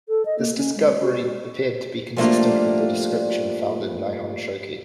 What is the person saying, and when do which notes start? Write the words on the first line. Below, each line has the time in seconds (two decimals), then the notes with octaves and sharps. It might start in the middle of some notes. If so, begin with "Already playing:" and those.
This discovery appeared to be consistent with the description found in "Nihon Shoki".
0.09 A4
0.25 D#5
0.39 A#3
0.57 C#4
0.76 G#3
1.01 F#4
2.17 F3 G3 A3 A#3 D4 F4